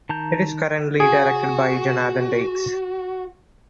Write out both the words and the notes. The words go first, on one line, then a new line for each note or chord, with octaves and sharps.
It is currently directed by Jonathan Dykes.
D#3 A5 A#5 G6
F#4 G#4